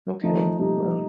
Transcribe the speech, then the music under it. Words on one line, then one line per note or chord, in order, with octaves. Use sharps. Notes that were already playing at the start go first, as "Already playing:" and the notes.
Okay, well
F3 A3 D#4
G3 A#3 D#4